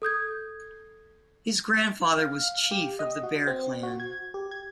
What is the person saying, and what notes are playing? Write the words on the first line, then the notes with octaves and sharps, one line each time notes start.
His grandfather was Chief of the Bear Clan.
A4 D#6 G6 G#6
F5
G4
D#5
F#4
C4
F#4
G#6
G4
G#6